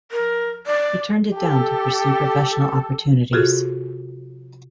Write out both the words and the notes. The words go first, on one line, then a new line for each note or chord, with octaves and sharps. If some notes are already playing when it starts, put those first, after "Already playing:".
He turned it down to pursue professional opportunities.
A#4
D5
G4 A4
C3 F4 F#4 G#4 A4